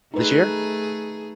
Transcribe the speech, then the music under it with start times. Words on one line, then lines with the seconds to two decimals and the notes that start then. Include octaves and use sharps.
This year?
0.14 A3 D#4 G#4 A4 B4